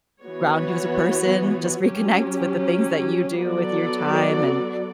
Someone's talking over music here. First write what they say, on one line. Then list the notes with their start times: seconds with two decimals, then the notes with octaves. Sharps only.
ground you as a person, just reconnect with the things that you do with your time and,
0.22 E3 B3 F#4 C#5
1.82 F#3 C#4 G4
3.42 F#3 B3 F#4 A4 D5